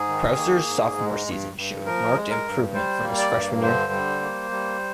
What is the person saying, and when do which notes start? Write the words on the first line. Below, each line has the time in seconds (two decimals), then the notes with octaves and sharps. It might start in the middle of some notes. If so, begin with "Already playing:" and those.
Krauser's sophomore season showed marked improvement from his freshman year.
Already playing: G#2 G#4
0.08 D#3
0.38 A#3
0.67 G#2
0.97 G#3
1.26 G2
1.56 G2
1.85 F3 A#4
2.15 G#3
2.30 A#4
2.44 G2
2.74 G3 C5
3.03 A#3
3.18 D5
3.33 G2
3.62 D3 C5
3.92 G3
4.22 A#3
4.51 G3